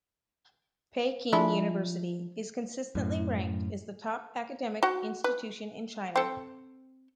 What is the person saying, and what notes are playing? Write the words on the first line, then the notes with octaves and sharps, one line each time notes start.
Peking University is consistently ranked as the top academic institution in China.
F3 G#3 D4 E4
F#2 A2
F#4 F#5
B4
C4 A4